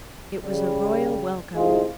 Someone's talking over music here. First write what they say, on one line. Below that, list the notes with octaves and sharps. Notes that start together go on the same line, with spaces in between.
It was a royal welcome.
C#3 G3
C2 G#3 D#4 F4 G#4